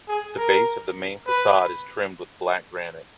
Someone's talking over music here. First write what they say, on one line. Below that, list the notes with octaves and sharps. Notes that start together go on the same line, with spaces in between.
The base of the main facade is trimmed with black granite.
G#4
A#4
B4